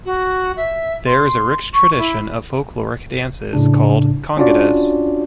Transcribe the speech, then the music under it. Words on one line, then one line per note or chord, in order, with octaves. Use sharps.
There is a rich tradition of folkloric dances called congadas.
F#4
E5
C6
C#6
E4
A2 C#3 D4
C#4 D4 F4 F#4 D5